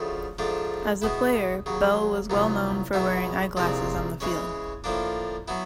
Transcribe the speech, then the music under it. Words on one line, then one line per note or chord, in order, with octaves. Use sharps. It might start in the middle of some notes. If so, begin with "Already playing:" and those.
As a player, Bell was well known for wearing eyeglasses on the field.
Already playing: D2 C#3 F3 A3
G#2 F3 A3 D4
B2 G#3 B3 E4
D#2 C#3 F#3
C2 A#2 F#3 B3
C#2 B2 F#3 B3 E4
C2 A#2 F3 G#3 C4
C#3 E3 G#3 C#4
A2 F3 A#3 D4
F#3 B3 E4